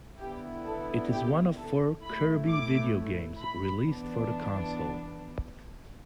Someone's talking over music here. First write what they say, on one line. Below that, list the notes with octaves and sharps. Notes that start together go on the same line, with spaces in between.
It is one of four "Kirby" video games released for the console.
D3 B3 E4 G4
A4
G4
A4
A2 A3 E4 B5
D6
B5
E3 B3 D4